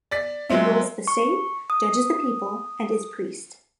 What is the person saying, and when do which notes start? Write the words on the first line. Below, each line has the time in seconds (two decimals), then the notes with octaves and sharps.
He rules the state, judges the people, and is priest.
0.11 D5 A6 B6
0.50 F#3 G#3 C4 E5
1.07 C#6
1.70 D#6